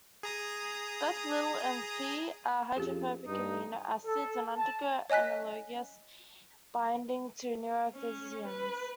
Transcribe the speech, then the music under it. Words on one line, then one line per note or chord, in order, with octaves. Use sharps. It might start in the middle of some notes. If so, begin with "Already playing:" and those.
Both Ile and Phe are hydrophobic amino acids and undergo analogous binding to neurophysins.
G#4 A#5 D#6
F2 C#4 G4 G#4
G2 D#4
A4
A5
C#5 D#5 G#5 F#6 B6
C#4
B4